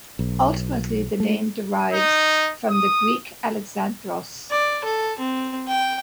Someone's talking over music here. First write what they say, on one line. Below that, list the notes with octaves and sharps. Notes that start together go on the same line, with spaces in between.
Ultimately the name derives from the Greek Alexandros.
B1
A3
D#4
D#6
D5
A4
C4
G5